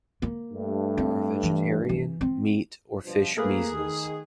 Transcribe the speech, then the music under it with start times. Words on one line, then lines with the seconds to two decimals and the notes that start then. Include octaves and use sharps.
There are vegetarian, meat or fish mezes.
0.22 A#3
0.51 G2 A3
0.97 C4
1.43 E3
1.89 E3
2.21 C4
3.04 G2 B2 F3
3.37 A3 A#3 G#4 A#4 B4
3.75 D#3